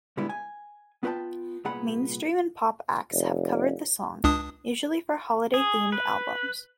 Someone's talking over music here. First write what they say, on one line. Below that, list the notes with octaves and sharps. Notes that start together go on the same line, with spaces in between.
Mainstream and pop acts have covered the song, usually for holiday-themed albums.
A#2 D3 G3 G#3 B3 E4
G#5
B3 F4 B4 C5 G5 A5
C2 A#2 B3 G#4 F#5 B5
F1
C#2 D4 D#6
G#4
B4